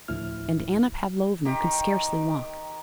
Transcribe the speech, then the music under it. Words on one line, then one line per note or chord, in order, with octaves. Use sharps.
And Anna Pavlovna could scarcely walk....
D2 A2 F3 E4 F6
D#3 G4